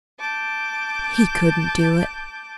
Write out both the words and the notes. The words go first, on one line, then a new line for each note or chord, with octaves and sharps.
He couldn't do it.
A5 D6 G6